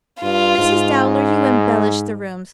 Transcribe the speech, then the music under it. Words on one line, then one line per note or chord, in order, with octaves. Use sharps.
Mrs. Dowler, you embellish the rooms.
G2 F4
G#2